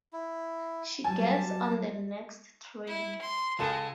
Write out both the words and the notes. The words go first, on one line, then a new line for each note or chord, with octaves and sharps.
She gets on the next train.
E4
F#3 G3 G#5 A5
E4
C6
C#2 G#3 A4 E7